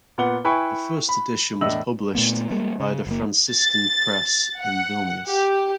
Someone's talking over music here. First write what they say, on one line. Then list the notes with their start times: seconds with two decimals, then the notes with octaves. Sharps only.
The first edition was published by the Franciscan press in Vilnius.
0.18 A#2 B3 F#5 G7
0.44 E4 B4 E5 G5 G#5 C#6
1.09 B5
1.61 E1 A2 D4 D#5 E6 F#7
2.15 A#2 A3 B3
2.51 G3 G#3 A#3
2.80 C#3
3.07 F#1 A#3
3.51 A6
4.60 F#5
5.28 G4